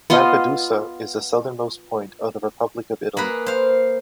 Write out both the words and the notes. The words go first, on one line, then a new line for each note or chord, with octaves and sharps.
Lampedusa is the southernmost point of the Republic of Italy.
B3 F4 D#5
A#3 G#4 B4
C5 F5